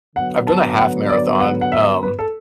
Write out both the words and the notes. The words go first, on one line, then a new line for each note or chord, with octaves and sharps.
I've done a half marathon, um,
D3 F#3 B3 F#5
A5
F#5
D5
F#5
F#5
E5
B4
A4